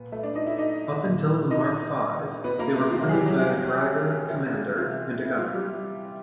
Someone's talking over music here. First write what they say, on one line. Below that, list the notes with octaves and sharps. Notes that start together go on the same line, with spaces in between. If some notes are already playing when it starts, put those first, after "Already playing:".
Up until the Mark Five, they were crewed by a driver-commander and gunner.
Already playing: A#2 B3
A3 A4
D4 D5
D#4 D#5
E4 E5
D#4 D#5
A#2
D#4 D#5
B3 B4
A#3 A#4
A3 A4
C3 E3 F4
F#3 F#4
G#4
G3 G4
F#3 F#4
F4
E4
C3 E3 F4
E4
F4
G3 G4